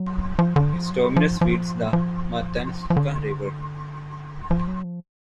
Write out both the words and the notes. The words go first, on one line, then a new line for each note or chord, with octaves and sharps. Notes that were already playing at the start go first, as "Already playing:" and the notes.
Its terminus feeds the Matanuska River.
Already playing: F#3
F3
D3
F3
F#3
F3
F3
F3
F3
D3
C#3
D3
F3
F#3
F3